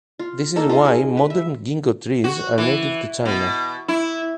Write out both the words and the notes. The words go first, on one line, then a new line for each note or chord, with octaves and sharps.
This is why modern "Ginkgo" trees are native to China.
F4
A#3 D#4 A4
F4 A4 D#5
G#4
B4
E5
F#4
E3
B2
E4